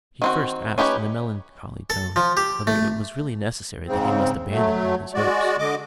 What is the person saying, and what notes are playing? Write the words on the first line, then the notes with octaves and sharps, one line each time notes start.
He first asked, in a melancholy tone, whether it was really necessary that he must abandon all his hopes.
D#3 C4 F#4
C#4 D#4 G4 B4 C#5
A4
F3
G4
A3
G#2 C#3 C4
F#3 A3
G#3 F#4 D5
D3 D#5 D6